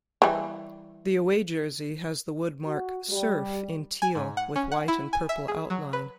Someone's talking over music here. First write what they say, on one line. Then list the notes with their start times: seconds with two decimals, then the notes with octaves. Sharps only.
The away jersey has the wordmark "Surf" in teal with white and purple outline.
0.22 E3 G3
2.66 F#4
3.10 G3
4.02 G#5
4.15 G#2
4.37 F#5
4.56 C#4
4.72 F#5
4.88 E4
5.13 G#5
5.29 E5
5.48 G#4
5.70 F#3
5.93 B4